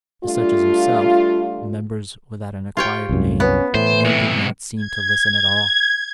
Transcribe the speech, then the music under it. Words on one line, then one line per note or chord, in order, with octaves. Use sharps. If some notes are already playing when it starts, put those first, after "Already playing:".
To such as himself,--Members without an acquired name,--men did not seem to listen at all.
G3 A3 D4 F4
F4 G4 C#5 G5
C2 F#2
B3 C#4
A2 E3 C5
B1 C3
G#6